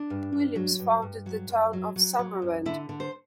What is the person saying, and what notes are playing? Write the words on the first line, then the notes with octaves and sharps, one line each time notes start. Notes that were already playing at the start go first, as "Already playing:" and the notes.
Williams founded the town of Summerland.
Already playing: D4
G2
G2
F#3
G2
G2
F#3
F#2
F#3
F#3
F#3
F#2
D3 E4
D3
C5